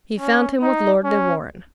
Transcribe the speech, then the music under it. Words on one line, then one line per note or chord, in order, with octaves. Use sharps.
He found him with Lord de Warenne.
C#4
D#4
C#4